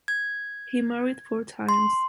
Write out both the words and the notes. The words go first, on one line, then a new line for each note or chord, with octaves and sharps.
He married four times.
G#6
C6